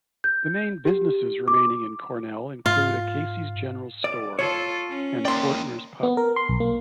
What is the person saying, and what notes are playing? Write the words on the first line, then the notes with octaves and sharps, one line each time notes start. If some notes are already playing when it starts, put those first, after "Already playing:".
The main businesses remaining in Cornell include a Casey's General Store and Fortner's Pub.
G6
G4
D6
G#2 F4
D5
F4 A4 C#5
C#4
A#3 D5 G5 C6
B3
A#4
C6
B1
A#3